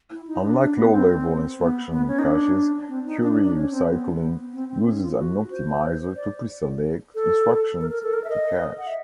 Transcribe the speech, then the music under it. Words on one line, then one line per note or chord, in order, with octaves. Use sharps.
Unlike low-level instruction caches, query recycling uses an optimizer to pre-select instructions to cache.
E4
D#4
D4
D4
B3
C4
B3
B3
C#4
D#4
D4
C4
D#4
D4
D4
D4
C#4
C4
B3
C4
C4
C#4
F4
F4
F#4
C5
D5
A4
A#4
A#4
A4
A#4
E5
D#5
F#5
E5